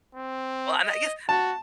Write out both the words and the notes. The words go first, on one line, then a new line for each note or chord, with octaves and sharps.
Well and I guess
C4
D#5
F#4 A5